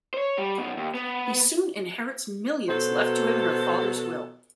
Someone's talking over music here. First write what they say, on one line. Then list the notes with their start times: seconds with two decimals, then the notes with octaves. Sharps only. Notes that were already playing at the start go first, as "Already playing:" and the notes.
He soon inherits millions left to him in her father's will.
0.14 C5 C#5
0.38 G3
0.58 F#2 B2
0.77 D#2
0.94 B3
2.69 B2 F#3 A4 C5